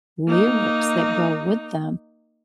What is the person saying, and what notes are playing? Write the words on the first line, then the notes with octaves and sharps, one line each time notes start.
lyrics that go with them,
A#3 D#4